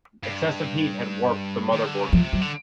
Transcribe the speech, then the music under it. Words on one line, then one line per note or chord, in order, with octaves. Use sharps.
Excessive heat had warped the motherboard.
G2
D#3
D3
C#3
C3 F3
F#3
D3